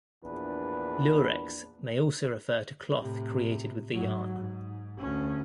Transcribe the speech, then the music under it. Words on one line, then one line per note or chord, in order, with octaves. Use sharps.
"Lurex" may also refer to cloth created with the yarn.
A#1 E2 A#2 D4 B4
A2 C3
G#2 F#3
G#2
D2 C#4